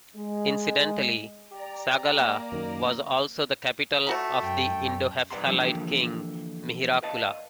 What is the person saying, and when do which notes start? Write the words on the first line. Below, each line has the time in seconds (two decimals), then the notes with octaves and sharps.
Incidentally, Sagala was also the capital of the Indo-Hepthalite King Mihirakula.
0.16 G#3
1.52 G4 D5 A#5
2.16 A#3
2.52 F#2 D#3 A#4
4.07 A3 F#4 B5
4.42 F#2 G5
4.77 F#2
5.30 B1 B4 D5 F#5 A#5 C6
5.46 F#2 F3 G3 D4
5.61 D3 E3 F3 A#3 G4
7.03 B4 D5 D#5 F5 A5